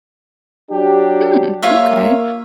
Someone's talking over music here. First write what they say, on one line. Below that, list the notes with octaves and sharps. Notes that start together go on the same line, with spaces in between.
Hmm, m'kay.
F#3 D4 G4
A#3 F4 C#5 E5